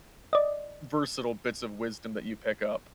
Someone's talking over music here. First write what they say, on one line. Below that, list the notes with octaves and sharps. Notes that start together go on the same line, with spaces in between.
versatile bits of wisdom that you pick up.
D5 D#5